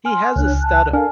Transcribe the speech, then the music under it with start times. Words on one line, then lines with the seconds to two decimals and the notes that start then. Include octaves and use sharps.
He has a stutter.
0.05 G#5 C6 F6
0.36 C#2 D4 C#5 F#6
0.61 A5 F#6
0.93 D4 A4 A#4 F5 G#5 A5 F6